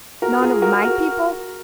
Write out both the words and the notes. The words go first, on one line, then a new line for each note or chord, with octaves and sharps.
'None of my people?
F#4 A#4
F4 G#4
F#4 A#4
F#4 A#4